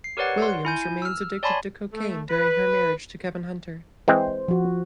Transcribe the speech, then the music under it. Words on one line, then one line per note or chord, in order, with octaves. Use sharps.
Williams remains addicted to cocaine during her marriage to Kevin Hunter.
C7
G4 A#4 B4 C#5 D5 F#5
C6
E4 G#5 G6
E6 F6
C#5 D5 G#5 A5 B5 C6
A3
B4
E3 G#3 C4 C5
F3 F#4